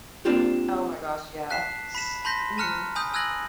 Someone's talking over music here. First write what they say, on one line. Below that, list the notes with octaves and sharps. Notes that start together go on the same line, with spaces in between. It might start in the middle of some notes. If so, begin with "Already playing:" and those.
Oh my gosh, yeah. S Mhm.
A#3 C4 D4 F4 G4
A5 F#6 B6 C7 E7
B5 B6 E7
A5 B5 C6 G6 A#6 B6
A5 A#5 F6 F#6 C#7
G#5 B5 D#6 G6
G#5 E6 F#6 G#6 A#6 F#7